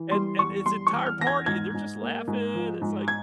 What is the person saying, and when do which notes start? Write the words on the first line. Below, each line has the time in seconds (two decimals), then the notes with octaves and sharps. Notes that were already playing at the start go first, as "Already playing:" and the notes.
And and his entire party, and they're just laughing, it's, like,
Already playing: E3
0.11 G3 C6
0.38 E2 C#6
0.66 G3 C6
0.87 C#6
0.93 E2
1.06 F6
1.19 E2 A#6
1.27 G#6
1.46 G#2 G#6
1.74 G#2
2.01 A#3
2.27 G#2
2.54 F3
2.81 G#2
3.08 G#6